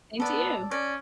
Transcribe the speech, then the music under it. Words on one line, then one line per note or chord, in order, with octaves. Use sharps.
Same to you.
B3 A4 D5
C#4 D5